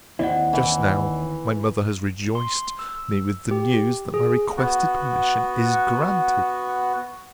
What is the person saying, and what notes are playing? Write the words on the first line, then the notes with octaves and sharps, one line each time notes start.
Just now, my mother has rejoiced me with the news that my requested permission is granted.
D#2 C4 E4 D5 D#5 F#5
E3
C6
E6
G4
G#4
B3 F#4